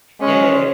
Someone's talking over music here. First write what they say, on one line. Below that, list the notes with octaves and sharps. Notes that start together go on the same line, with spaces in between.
Yeah, yeah, ye
G#3 C#4